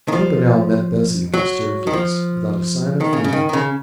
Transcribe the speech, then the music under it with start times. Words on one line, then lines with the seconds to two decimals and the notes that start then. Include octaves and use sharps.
Torpenhow met Bessie on the staircase without a sign of feeling.
0.08 D#3
0.13 F3
1.34 F#3
1.87 D#3
1.93 F3
3.01 D#3
3.13 C#3
3.24 C#3
3.33 D#3
3.49 D#3
3.53 C#3